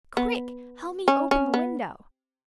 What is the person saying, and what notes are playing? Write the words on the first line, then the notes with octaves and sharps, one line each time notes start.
"Quick, help me open the window."
B3
C#4
C#4
B3